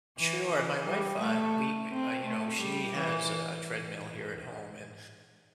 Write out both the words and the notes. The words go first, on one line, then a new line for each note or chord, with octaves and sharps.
Sure, my wife, uh we me uh, you know, she has a a treadmill here at home, and,
E3
E3
G3
A3
C4
A3
G3
E3